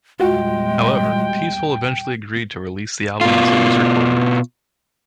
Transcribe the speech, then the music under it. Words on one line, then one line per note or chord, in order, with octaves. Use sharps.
However, Peaceville eventually agreed to release the album as it was recorded.
E2 A#2 G3 G#3 F4 F#4 G5
B2 F4